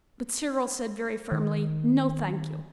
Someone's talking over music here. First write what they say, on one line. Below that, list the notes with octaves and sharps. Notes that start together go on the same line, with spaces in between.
But Cyril said very firmly, 'No, thank you.
D#3